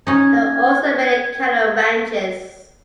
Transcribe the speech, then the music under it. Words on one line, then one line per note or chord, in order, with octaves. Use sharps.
There are also many cattle ranches.
C#4 D#4 G#6